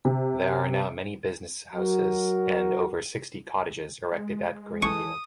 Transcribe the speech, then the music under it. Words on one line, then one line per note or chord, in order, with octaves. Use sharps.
There are now many business houses and over sixty cottages erected at Greenfield.
C3
F#3 F#4 A#4
G#3
E3 A4 C#6 D#6